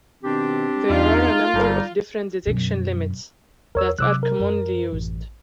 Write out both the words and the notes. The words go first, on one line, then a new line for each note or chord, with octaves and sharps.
There are a number of different "detection limits" that are commonly used.
B2 D#3 C4 D4 G4
E2 D#4 F4
G1 G3 D#4 A4
F#2 B2
E2 A#4 C#5 E6
C3 F#3 D6 E6 F#6
A#4
F#2
A1